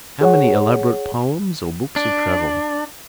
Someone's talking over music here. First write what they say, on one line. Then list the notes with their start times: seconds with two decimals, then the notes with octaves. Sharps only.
How many elaborate poems or books of travel?
0.21 G#4 C#5 F#5
1.96 D4